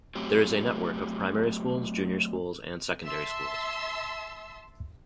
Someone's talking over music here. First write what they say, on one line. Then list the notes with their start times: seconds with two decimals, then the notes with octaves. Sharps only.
There is a network of primary schools, junior schools and secondary schools.
0.15 F#3 A3 C4 G4
3.05 E5 A5 C6 E6